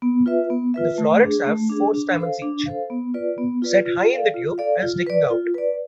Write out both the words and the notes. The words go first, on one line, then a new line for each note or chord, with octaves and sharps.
The florets have four stamens each, set high in the tube, and sticking out.
B3
F4 B4 E5
B3
F4 B4 E5
A3
D4 G#4
A3
D4 G#4
D4
A4 C5 F5
D4
A4 C5 F5
B3
F4 B4 D5
B3
F4 B4 D5
F4
A4 D5 F5
F4
A4 D5 F5
F4
B4 D5
F4
B4 D5